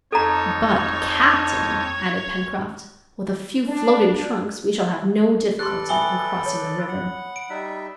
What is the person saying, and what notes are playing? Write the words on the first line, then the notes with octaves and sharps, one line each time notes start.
"But, captain," added Pencroft, "with a few floating trunks we shall have no difficulty in crossing the river."
F2 D#4 A4 C#5 A5 A#5
D4
G4 A4 B4 D5 C6 F#6
E5 G5 G#5 B5 D#6 G7
C#5
F#5
D7
G3 D#4 E5